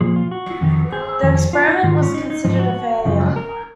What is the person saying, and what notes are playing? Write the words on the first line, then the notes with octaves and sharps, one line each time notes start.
The experiment was considered a failure.
A#2 F3 G#4
F4
F#4
F2 D#3
G#4
F2 D#3
F4
D#4
G#2 D#3 F4
C#4
D#4
D#4
G#2 F3 D#4
F#4
F#2 C#3 F3
A#4